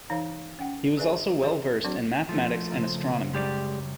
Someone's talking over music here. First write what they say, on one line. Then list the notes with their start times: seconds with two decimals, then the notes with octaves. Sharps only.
He was also well versed in mathematics and astronomy.
0.10 E3 D#4 C5 C#5 F5
0.59 C#4 F#5 G5
0.97 G#4 A#4 B4 D5 E5 G#5
1.40 E3 G4 G#4 C5 D#5
1.84 F#3 C4 D4 F#4 D5
2.29 F3 A3
2.69 C#3 C4 A#4
3.33 F#2 C#3 G3 G#3 G4 D5